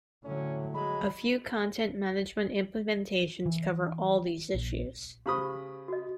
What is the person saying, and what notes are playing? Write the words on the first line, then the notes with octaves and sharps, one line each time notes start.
A few content management implementations cover all these issues.
A2 D3 F#3 C#4
F#3 G#3 B5
E3
A#1
C#3 G4 C5 B5 C#6 D#6
F#4 D#5